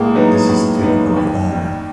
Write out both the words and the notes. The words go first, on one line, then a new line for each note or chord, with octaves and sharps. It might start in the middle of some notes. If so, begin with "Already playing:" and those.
This is typical of Erna.
Already playing: A2 G#3 A#3
F#3 B3 D#4
A2
F#3 B3 D#4
D#2
D#3 G3